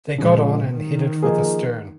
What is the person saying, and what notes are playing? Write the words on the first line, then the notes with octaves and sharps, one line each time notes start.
They got on and headed for the stern.
A#2 C#3 F3 G#3
D#3
F3 A#3 D#4 G#4